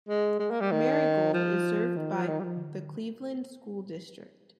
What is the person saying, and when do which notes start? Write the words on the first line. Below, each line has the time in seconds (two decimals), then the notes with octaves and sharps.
Merigold is served by the Cleveland School District.
0.08 G#3
0.39 G#3
0.51 A#3
0.61 G3
0.71 D#3
1.34 F3
1.96 D#3
2.12 F3
2.28 D#3
2.40 G3
2.44 F3